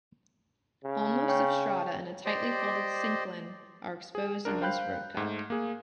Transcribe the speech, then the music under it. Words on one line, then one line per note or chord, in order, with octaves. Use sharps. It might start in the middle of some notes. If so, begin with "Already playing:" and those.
Almost of strata in a tightly folded syncline are exposed in this road cut.
C#3
C#5 G5 C#6
G4 C5 D5 D#5
G#4
C#2 D4 A#4
C5 F5 G5 B5 F#6 G6
G#2 A3
A#3 G#4